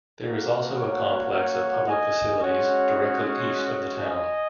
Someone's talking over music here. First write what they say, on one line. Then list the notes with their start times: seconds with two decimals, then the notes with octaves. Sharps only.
There is also a complex of public facilities directly east of the town.
0.24 A#3 F#4
0.78 C#5 F#5
1.32 C#5 F#5
1.87 D#5 G#5
2.41 G#3 C#4 F#4 C#5 F#5
2.96 C#5 F#5
4.04 D#5 G#5